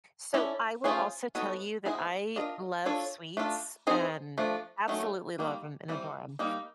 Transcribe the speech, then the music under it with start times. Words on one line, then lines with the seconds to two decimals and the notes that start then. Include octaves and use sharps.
So, I will also tell you that I love sweets, um, absolutely love 'em and adore 'em,
0.34 C#4 E4 A4 D5
0.84 A3 C#4 F4 G#4 C5
1.35 B3 D#4 F#4 A4 C#5
1.85 G#3 B3 E4 G#4 C5
2.36 D4 F4 A#4 D#5
2.86 D4 F4 A4 C#5
3.37 A3 D4 F4 A4
3.87 C4 D#4 G#4 C5
4.38 F3 A3 D4
4.88 D#3 F#3 A3 C#4
5.39 D#3 G3 A#3
5.89 E3 G3 C4
6.39 G3 A#3 D#4